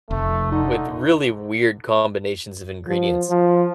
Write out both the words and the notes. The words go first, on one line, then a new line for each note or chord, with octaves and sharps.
with really weird combinations of ingredients.
F1 A3
D3 D#4
F3
F3